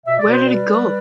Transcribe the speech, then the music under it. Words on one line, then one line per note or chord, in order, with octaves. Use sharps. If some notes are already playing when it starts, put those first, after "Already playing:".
Where did it go?
B2 E5
D5
B2 C5
G3 B4 D5
G3